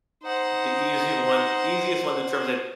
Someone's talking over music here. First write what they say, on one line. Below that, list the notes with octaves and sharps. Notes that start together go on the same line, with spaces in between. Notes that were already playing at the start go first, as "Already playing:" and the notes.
the easy one easiest one in terms of
D#4 C5 F#5